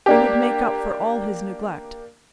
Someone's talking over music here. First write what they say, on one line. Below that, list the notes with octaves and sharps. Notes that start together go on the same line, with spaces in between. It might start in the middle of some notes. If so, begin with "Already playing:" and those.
He would make up for all his neglect.
A#3 D4 G4